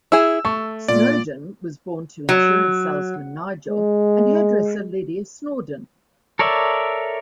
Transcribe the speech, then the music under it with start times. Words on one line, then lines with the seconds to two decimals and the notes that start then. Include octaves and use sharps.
Snowdon was born to insurance salesman Nigel and hairdresser Lydia Snawdon.
0.12 E4 G#4 E6
0.45 A3 C#6
0.88 A#2 D5
2.29 F#3
3.69 G#3
6.39 A4 A#4 C#5 D5 E5